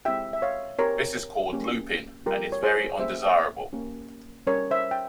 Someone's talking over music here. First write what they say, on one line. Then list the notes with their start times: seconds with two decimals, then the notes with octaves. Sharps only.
This is called "looping" and is very undesirable.
0.05 G#3 C4 E4 G4 E5 G5
0.33 E5
0.42 C#5 F5
0.79 C4 G4 A#4 C#5
1.53 A#3 C#4 G4
2.26 G3 C4 F4 G4 A#4
2.52 C#5
2.63 G#4 C5
3.00 A#3 C#4 G4 C5 E5
3.73 A#3 C#4 G4
4.47 G3 C#4 G4 A#4 C#5
4.71 C5 E5
4.91 G5